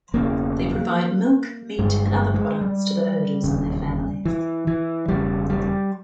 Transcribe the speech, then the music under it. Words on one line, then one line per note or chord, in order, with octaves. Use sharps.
They provide milk, meat and other products to the herders and their families.
E1 E2 C#3 A#3
G1 G2 G#3
G#3
G#3
G3
E1 D#2 C#3
E3
E3
E1 E2 C#3 G3
G3